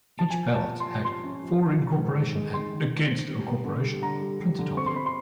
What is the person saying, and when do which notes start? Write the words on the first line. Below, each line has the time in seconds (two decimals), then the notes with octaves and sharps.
Each ballot had "For incorporation" and "Against incorporation" printed on them.
0.19 A5
0.30 F3 G#5
0.49 F3
0.55 A5
0.67 F3
0.80 C6
0.87 F3
1.05 F3 C6
1.24 C#4
1.42 F3
1.61 F3
1.80 D#3
1.98 G#2
2.17 D#3
2.35 G#3
2.54 D#3 C6
2.73 D#3
2.91 D#3
3.10 C4
3.28 G3
3.47 B3
3.65 D3
3.83 G3
4.02 D3 A#5
4.21 G3
4.40 G3
4.59 D3
4.77 C4 C#6
4.86 C6
4.95 C4 B5
5.06 C6